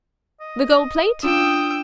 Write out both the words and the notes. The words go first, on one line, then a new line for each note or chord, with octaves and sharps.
"The gold plate?"
D#5
D4 F4 G5 D#6 E6